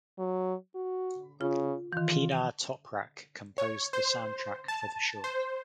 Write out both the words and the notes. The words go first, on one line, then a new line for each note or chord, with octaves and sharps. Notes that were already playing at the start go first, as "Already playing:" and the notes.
Pinar Toprak composed the soundtrack for the short.
F#3
F#4
C#3 F4
D#3 E3 F4
C#5
C5
A5
C5